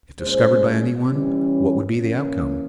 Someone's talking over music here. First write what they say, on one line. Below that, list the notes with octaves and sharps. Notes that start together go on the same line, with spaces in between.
If discovered by any one, what would be the outcome?
A#2 G#3 C#4 C5
E3 G3 C#4
E3 A#3 C#4